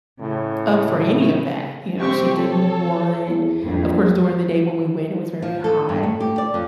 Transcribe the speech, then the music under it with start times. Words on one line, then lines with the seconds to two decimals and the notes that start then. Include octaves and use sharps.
up for any of that, you know, she didn't want of course during the day when we went, it was very hot,
0.20 A2 C#3
2.00 C3 C4 G4 C#6
2.35 A4 C#5
3.27 E2
3.65 A#1 F2
5.42 F3
5.64 A4
5.89 G2
6.03 A3
6.20 G4
6.38 D5
6.54 F2